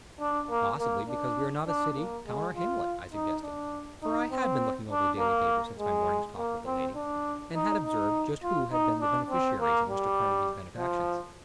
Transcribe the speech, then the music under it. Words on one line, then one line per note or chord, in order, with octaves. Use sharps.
"Possibly because we are not a city, town, or hamlet," I suggested, for I had been looking over the daily papers since my morning's talk with the lady, and had observed just who had been the beneficiaries of Mr. Carnegie's benefactions.
D4
A#3
A#3
D4
D4
A#3
G#3
F4
D#4
D4
D#4
C4
D4
A#3
G#3
A#3
C4
D4
D#4
D#4
F4
D#4
D4
C4
A#3
G3
F3